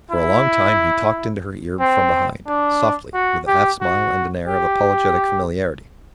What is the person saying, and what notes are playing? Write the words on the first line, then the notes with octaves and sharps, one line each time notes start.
For a long time he talked into her ear from behind, softly, with a half smile and an air of apologetic familiarity.
E4
C4
D4
F#4
G4
F#4
G4